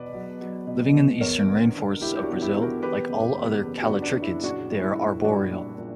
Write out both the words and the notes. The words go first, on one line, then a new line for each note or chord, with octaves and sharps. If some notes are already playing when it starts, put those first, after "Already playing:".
Living in the eastern rainforests of Brazil, like all other callitrichids they are arboreal.
Already playing: E2 B2 B4 D5
F#3
F#3
B2
E2
E2 A#4 C#5
D3
D3
E1 E4 G4
G4
D4 F#4
E2
E4 G4
E2
F#4 A#4
E2 G4 B4
F#1
E2
E2
D4 F#4
F#1
D4
F#1
E4
A#1 D4 F#4
G3
E4
A#2
G3 D4 F#4
A#1
A#2